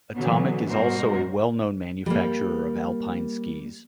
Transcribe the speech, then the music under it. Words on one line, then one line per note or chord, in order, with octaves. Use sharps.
Atomic is also a well-known manufacturer of alpine skis.
B2 D3 E3 F#3 B3
G#2 B2 G3 F#4 A#4 C5
G3 A#3